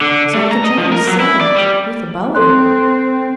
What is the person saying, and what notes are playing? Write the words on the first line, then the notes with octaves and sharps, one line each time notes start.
"So the journals said; with a bowie!"
D3
A3
A#5
D#5
F3
A#4
F#3
E4
D5
G3
C4 A4 C6 F#6